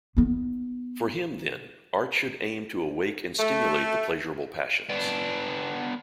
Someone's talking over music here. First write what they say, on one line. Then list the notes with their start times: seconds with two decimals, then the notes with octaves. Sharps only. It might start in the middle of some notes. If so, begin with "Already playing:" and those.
For him, then, art should aim to awake and stimulate the pleasurable passions.
0.17 B3 D#4
3.39 A3
4.90 B3 D4